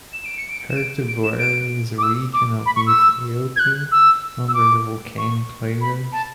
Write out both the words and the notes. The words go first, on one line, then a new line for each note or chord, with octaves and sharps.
Herto Bouri is a region of Ethiopia under volcanic layers.
E7
D7
C#7
D7
E7
D7
D7
E7
D7
D6
E6
D6
B5
C#6
E6
G#6
F#6
E6
E6
D6
C#6
B5
A5